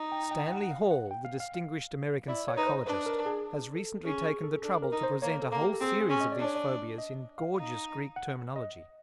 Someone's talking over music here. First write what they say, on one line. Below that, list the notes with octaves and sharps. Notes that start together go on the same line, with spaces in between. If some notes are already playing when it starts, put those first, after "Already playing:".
Stanley Hall, the distinguished American psychologist, has recently taken the trouble to present a whole series of these phobias in gorgeous Greek terminology.
Already playing: D#4
G5
G5
G5
F#5
F#5
F5
F#5
G5
F5
F5
F5
E4 D5
C#5
D#4 B4
C5
D4 B4
A#4
G#4
A4
C#4 G#4
G#4
A4
D4 A4
A#4
D#4
C5
A#3 C#5
A4
A#3
G4
A4
C4 G#4
G#4
C#4
D#5
D5
D4 C#5
D5
D#5
F5
D#4
F#5
D#5